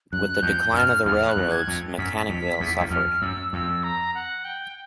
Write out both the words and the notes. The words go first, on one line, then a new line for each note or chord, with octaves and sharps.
With the decline of the railroads, Mechanicville suffered.
F#2 F#6
F2 G6
F#2 F6
E2 F6
F#6
F2
G#6
F2
F#2 B6
F2
E2
E2
F2 F6
F#2 E6
F2 E6
A#5
F#5
G5